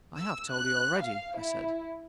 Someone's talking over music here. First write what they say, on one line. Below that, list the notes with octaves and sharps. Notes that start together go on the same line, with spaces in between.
"I have told you already," I said.
E6
F#6
F5
E4